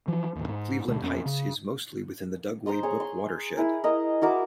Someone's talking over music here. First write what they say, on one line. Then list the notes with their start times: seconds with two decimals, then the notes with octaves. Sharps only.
Cleveland Heights is mostly within the Dugway Brook Watershed.
0.08 E3 F3
0.35 A1 D#2
0.48 G#2
0.88 D2 B2 G#3
1.02 F2 B3 C#4
1.25 C#3
2.66 C5 A#5 C6 D#6
2.83 G#4 C#5 C#6
3.00 C6
3.57 E4 G#4 A#4
3.84 A#4 D#5
4.22 E4 F#4 A#4 D6